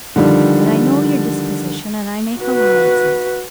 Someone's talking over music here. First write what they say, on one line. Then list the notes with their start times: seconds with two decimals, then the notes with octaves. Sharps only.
But I know your disposition, and I make allowances.
0.16 D3 D#3 F3 G3
2.40 F#4 B4